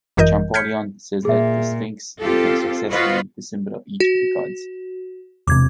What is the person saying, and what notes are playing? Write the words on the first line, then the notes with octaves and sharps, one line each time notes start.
Champollion says that the sphinx became successively the symbol of each of the gods.
G#1 F#2 E3 A#4 D#5 G6
F6 G6 G#6 B6 C#7
A#2 G#4 E5
C4 F4 G4 A4
F4 F#4 B4 C5 D#5
F#4
E1 C3 D6 G#6